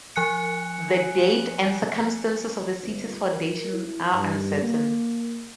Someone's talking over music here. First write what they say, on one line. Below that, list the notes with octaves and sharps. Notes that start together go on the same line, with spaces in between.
The date and circumstances of the city's foundation are uncertain.
F3 G#5 F#6 C#7
G1
A#4
E4
G2
A#3